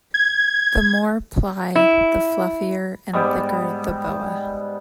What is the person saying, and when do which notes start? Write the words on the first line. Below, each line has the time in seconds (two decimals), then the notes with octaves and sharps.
The more ply, the fluffier and thicker the boa.
0.14 G#6
1.75 E4
3.13 G#2 G3 B3 G4